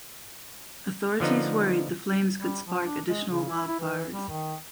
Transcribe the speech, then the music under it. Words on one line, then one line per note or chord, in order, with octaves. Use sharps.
Authorities worried the flames could spark additional wildfires.
D3 F3 B3 D#4
G3
F3
D4
G#3
C#3
E4
E4
E3
G3
D#3